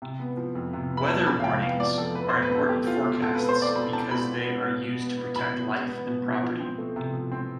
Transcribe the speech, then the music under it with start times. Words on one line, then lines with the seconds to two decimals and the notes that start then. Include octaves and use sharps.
Weather warnings are important forecasts because they are used to protect life and property.
0.02 C3
0.19 B3
0.37 F3
0.55 F2
0.73 C3
0.90 B3
0.97 B5
1.08 F3 A5
1.21 A5
1.27 F2 B5
1.40 F5
1.44 C3 G5
1.62 B3 F5
1.80 F3 D5
1.98 F2 A4
2.15 A3 B4
2.29 B2 C5
2.42 B4
2.51 C4 A4
2.69 B2 G4
2.87 A3 F4
3.04 B2
3.22 C4 A4
3.35 B2 B4
3.49 C5
3.58 A3 D5
3.76 B2 B5
3.93 C4 A5
4.11 B2 B5
4.29 B3
4.47 B3
4.64 B2
4.82 B2
5.00 B3
5.17 B3
5.36 B2 B5
5.53 B2
5.71 B3
5.89 B3
6.07 B2
6.25 B2
6.42 F3
6.60 C4
6.78 A3
6.96 C3
7.14 F3
7.32 C4